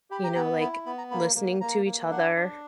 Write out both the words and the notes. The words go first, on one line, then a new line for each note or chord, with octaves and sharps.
You know, like listening to each other
G4 B5
A#5
B3 A#5
E4 B5
B5
B3 B5
A#5
A#3 B5
A#3
A#3 A#5
A#3
D4 F#5
D4